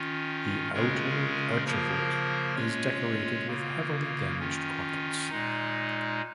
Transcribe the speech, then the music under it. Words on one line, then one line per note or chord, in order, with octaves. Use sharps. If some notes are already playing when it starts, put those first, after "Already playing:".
The outer archivolt is decorated with heavily damaged crockets.
Already playing: D#3 C#4 F4
C#3 G#3 C#4 F4 A#4
C#3 F3 A#3 F4 A#4
G#3 C#4 F4 C#5
C#3 A#3 F4
D#3 C#4 F4
A#2 G#3 D#4